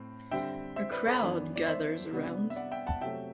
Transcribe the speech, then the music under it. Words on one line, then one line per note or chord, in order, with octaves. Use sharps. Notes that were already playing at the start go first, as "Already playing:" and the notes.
A crowd gathers around.
Already playing: A2 C4
D3 G3 C4 E5 G5
C5 E5
B4 D5
A4 C5
F#2 E3 B3 D4
D5
C5 E5
C3 G3 B3 D4
E5
D5 F#5
E5 G5
F#5 A5
C3 F#3 A3 E5 G5